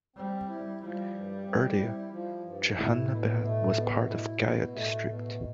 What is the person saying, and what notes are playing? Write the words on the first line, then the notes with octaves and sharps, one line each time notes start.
Earlier, Jehanabad was part of Gaya district.
G3 C4
E4
F3 G3
G2
C4
E4
F3
G2
A2 E4
B2
A3
B2
E4
B2
A2 A3
B2